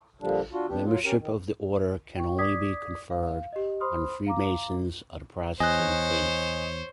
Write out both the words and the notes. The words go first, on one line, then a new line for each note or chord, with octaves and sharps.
Membership of the order can only be conferred on Freemasons of the Protestant faith.
A#2 D3 F3 G3 D4
D4 F4 F#4
F2 B3 D4 G4
F#3 F4
C#4 G4 A#4
D#3
G5 C#6
D5 D6 D#6 G#6 B6
F5
G4 D#5
C5 B5 C6 D#6 F6
F5 A#5 D6
E2 C5 C#5 D#5 G#5 F#6